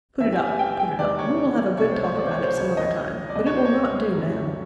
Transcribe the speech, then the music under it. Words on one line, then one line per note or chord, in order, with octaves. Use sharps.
Put it up, put it up; we will have a good talk about it some other time, but it will not do now.
E2 C3 E3 G3 E5
G#5
G#5
G5
G5
E2 C3 D#3 G#3 D5
C#5
C2 B2 G#3 C#5
C5
C#5
D5
C5
C#5
C5
C#2 C#3 F3 C#5
D#5
D5
C#2 B2 G3 D#5
C#5
C5
C#5
F#2 D3 F#3